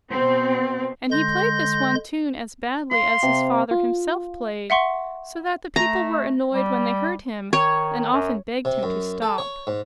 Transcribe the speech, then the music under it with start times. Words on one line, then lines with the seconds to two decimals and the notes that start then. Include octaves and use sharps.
And he played this one tune as badly as his father himself played, so that the people were annoyed when they heard him, and often begged him to stop.
0.10 B2 C4
1.11 D3 G#3 C6 G6 A#6
2.91 F5 C6
3.23 C3
3.71 F4
4.70 E5 F#5 C6 C#6
5.76 A3 A#5
6.53 G3
7.53 D#3 C#5
8.13 F#2
8.65 C3
8.83 F#2
9.22 A4
9.38 C#5
9.67 G#2